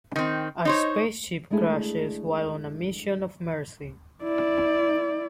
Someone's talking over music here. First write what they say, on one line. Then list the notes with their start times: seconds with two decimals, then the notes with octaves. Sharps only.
A spaceship crashes while on a mission of mercy.
0.16 D#3 C4
0.65 D#4 C5 C#5
1.50 G#3 A3 D4 E4 G#4
4.23 E4 D5